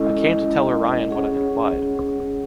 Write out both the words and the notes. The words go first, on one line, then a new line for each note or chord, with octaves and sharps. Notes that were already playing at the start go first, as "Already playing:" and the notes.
I came to tell Orion what I implied.
Already playing: G#3 C#4 E4 A4 D#5
C#4 G#4 C#5 F#5